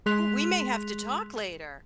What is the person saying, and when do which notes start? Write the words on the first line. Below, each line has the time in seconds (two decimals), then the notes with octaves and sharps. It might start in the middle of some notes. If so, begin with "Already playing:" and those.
Ooh, we may have to talk later.
0.06 G#3 G#4 C6 F#6 B6 F7